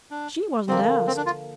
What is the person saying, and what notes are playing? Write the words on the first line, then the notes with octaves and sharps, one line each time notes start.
She wasn't asked.
D4
D3 F3 A#3 C4
C4
D4
F4